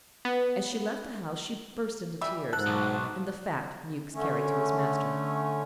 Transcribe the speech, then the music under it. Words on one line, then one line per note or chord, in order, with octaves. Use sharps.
As she left the house she burst into tears; and the fact Mewks carried to his master.
B3
E3 G3 E5
G#2 A4 A5 F#6
B1
D3 A3 C#4